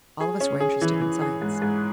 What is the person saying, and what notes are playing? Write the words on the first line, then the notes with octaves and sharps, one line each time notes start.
All of us were interested in science.
G#4
C#4
G#4
E3
E3
G#4
G#2
G#2